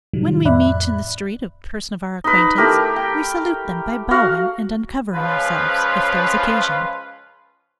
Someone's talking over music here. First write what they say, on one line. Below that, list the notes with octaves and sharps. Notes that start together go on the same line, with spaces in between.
When we meet, in the street, a person of our acquaintance, we salute them by bowing and uncovering ourselves, if there is occasion.
A2 C3 D#3 F#3 G3
F2 A2 D5 E5 B5 F#6
D#4 B4
A3 E4 G4 A#4
G5
F#4 F5
C#2 C#3 F3 C#4 F4 B4